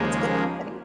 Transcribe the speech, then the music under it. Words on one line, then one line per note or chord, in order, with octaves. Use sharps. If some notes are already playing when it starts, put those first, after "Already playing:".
it's good company.
Already playing: D#2 C#3 F3 G#3 A#3